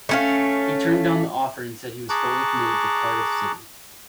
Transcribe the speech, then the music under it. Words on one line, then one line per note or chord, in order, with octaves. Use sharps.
He turned down the offer and said he was fully committed to Cardiff City.
A3 C#4 F5
G#4 A5 A#5 C#6 D6 F#6